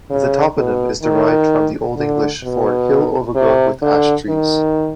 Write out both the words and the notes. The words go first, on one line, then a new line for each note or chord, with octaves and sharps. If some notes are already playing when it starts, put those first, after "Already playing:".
The toponym is derived from the Old English for "Hill overgrown with ash trees".
C#3
B2
D#3
D3
B2
C3
D3
D#3